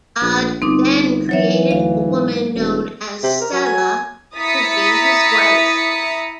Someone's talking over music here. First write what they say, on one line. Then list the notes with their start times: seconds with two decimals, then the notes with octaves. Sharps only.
God then created a woman known as Sela to be his wife.
0.21 A#1
0.62 G1 C4 D#4 D6
1.29 E3 F#3 C#5 E5
1.71 D2 F5
2.09 G#2
2.55 E1
3.23 C3
3.41 A#4
3.52 F#3
3.66 G#5
4.36 E4 A#5 D#6 A6 B6 C#7